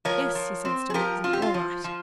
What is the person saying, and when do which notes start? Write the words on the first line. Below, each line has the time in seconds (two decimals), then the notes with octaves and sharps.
"Yes!" he said, still musing, "all right!"
0.05 F3 A#4 C#5
0.35 F3
0.65 C4
0.90 G#4
0.94 F3 G4 A#4
1.24 C4 F4
1.33 G4
1.42 F4
1.54 F3
1.84 F3